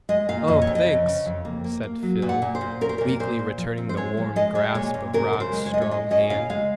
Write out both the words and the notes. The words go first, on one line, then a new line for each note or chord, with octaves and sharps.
"Oh, thanks," said Phil, weakly returning the warm grasp of Rod's strong hand.
G#3 D#5
A#2 F5
F2 D#5
C#5
F2
D#5
C#3
C#3
F2
A#3
A#3
A#3
F#3
A#2
F#5
A#2
C5
A#2
C#4 A#4
C5
A#4
A#2
A#4
A#2 C5
A#2
F3
C4
C5
G#3 C#5
F3
G#3 D#5
G#3
A#2 C#5
A#2
C#3 A#4
C#3
C5
G#3
C#5
G#3 D#5
C#5
G#3 D#5
C#4 D#5
C#3 F5
G#3 F5